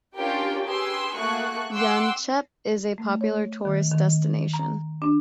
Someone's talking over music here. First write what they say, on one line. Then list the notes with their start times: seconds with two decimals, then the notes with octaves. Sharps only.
Yanchep is a popular tourist destination.
0.16 C#4 D4 F4 G4 A#4 G5
0.64 G4 G#4 B4 C6 E6
1.14 A3 A#3 F#4 G#4 C#6 F#6
1.73 F#5 G5 C6 D6 E6 F#6
2.98 A3
3.21 C#5
3.65 D#3
3.92 D#3
4.54 A#5
5.02 D4